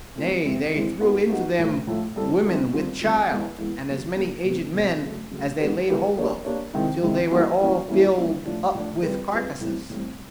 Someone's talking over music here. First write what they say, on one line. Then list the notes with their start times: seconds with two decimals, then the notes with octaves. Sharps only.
Nay they threw into them Women with Child, and as many Aged Men as they laid hold of, till they were all fill'd up with Carkasses.
0.16 A3 C4 F4
0.44 E3 G#3 C4 E4
0.73 E3 G#3 C4 E4
1.01 B3 D#4 F#4
1.30 B3 D#4 F#4
1.59 A2 F3 A3
1.87 A2 F3 A3
2.16 G3 C4 E4 A4
2.44 G3 C4 E4 A4
2.73 D3 G3 C4 F4
3.01 D3 G3 C4 F4
3.31 E3 G#3 B3
3.58 E3 G#3 B3
3.87 C#3 F#3 A#3
4.16 C#3 F#3 A#3
4.44 B2 F#3 A3 C4
4.74 B2 F#3 A3 C4
5.02 C#3 F#3 A3
5.31 C#3 F#3 A3
5.60 G#3 B3 E4 G4 B4
5.88 G#3 B3 E4 G4 B4
6.17 A#3 D4 G4 A#4 C#5
6.45 A#3 D4 G4 A#4 C#5
6.73 C3 D#3 G#3 C4 E4
7.03 C3 D#3 G#3 C4 E4
7.31 E3 G3 A#3 C#4 F#4
7.60 E3 G3 A#3 C#4 F#4
7.89 E3 G3 A#3 C#4 E4
8.17 E3 G3 A#3 C#4 E4
8.45 A2 F3 A3 D4
8.75 A2 F3 A3 D4
9.03 G3 C4 F4 G#4 B4
9.32 G3 C4 F4 G#4 B4
9.61 A2 E3 G3 C4
9.90 A2 E3 G3 C4